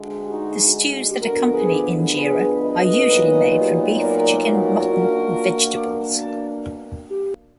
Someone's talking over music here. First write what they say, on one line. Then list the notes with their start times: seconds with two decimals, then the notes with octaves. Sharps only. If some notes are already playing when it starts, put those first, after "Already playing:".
The stews that accompany injera are usually made from beef, chicken, mutton or vegetables.
Already playing: D2 D3 G#3
0.29 D#4 F#4
1.21 D2 D3 F3 B3 F#4 A#4
1.51 G#4 B4
2.13 G#4 B4
2.60 B4 D#5
3.06 A#2 F#3 B3 D#4
3.97 A#4 D5
4.44 F#4 A#4
4.89 B2 A#3 D4